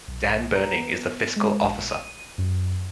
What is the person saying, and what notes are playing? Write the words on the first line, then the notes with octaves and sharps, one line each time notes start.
Dan Berning is the fiscal officer.
B1
A#5
B3
G#3
A#1
D#7
F#2